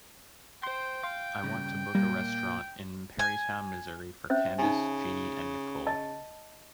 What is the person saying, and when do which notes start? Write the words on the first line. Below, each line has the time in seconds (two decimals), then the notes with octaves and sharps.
I want to book a restaurantin Perrytown Missouri for candice, jeannie and nichole.
0.63 C5 G5 C6
1.03 F5 C6
1.44 G2 C#3
1.95 A#2 G3 A#3
3.19 G#5
4.30 C#4 C5 E5
4.58 C#3 D#4 G#5
5.87 D#5 A5